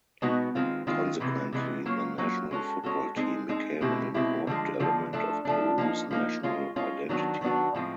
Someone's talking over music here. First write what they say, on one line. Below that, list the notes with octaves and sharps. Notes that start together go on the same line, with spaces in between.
Consequently, the national football team became an important element of Peru's national identity.
B2 G#3 B3 D#4 F#4
D#3 G#3 C4 F4
D#3 G#3 C4 F4
C3 E3 G#3 B3
C3 E3 G#3 B3
F#3 A#3 C#4 F4
F#3 A#3 C#4 F4
G#3 C#4 F#4 A4
G#3 C#4 F#4 A4
G#3 C4 D#4 G#4
G#3 C4 D#4 G#4
B2 G#3 C4 E4 G4
B2 G#3 C4 E4 G4
D3 F3 G#3
D3 F3 G#3
F3 A3 D4
F3 A3 D4
F3 A#3 D#4
F3 A#3 D#4
G#3 C#4 F4
G#3 C#4 F4
D#3 F#3 B3 D4 F#4
D#3 F#3 B3 D4 F#4
A2 F3 G#3 C4